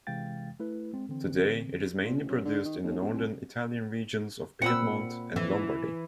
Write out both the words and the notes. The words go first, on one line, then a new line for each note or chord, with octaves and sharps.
Today, it is mainly produced in the northern Italian regions of Piedmont and Lombardy.
C3 E3 G#3 F5 G5 A6
A3 E4 B4
G#3 C4
D3 E3 C4
A#2
A1
F#2
D3
D#3
D#2
E1
C2
A#2 C4 F#5 B5 E6
E3